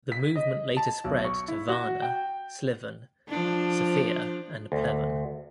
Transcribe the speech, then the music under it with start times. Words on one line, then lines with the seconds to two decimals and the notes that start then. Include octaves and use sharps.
The movement later spread to Varna, Sliven, Sofia, and Pleven.
0.12 B6
0.36 D#5
0.77 A5
1.04 B1
1.25 C#6
1.48 E4
1.69 F#4
2.02 G5
3.28 F3 D4
4.72 D2